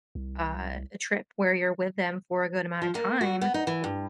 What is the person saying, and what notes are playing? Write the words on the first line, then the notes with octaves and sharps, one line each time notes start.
uh, trip where you're with them for a good amount of time
C2
F3
A#3
F#4
B3
D#4
E3
G2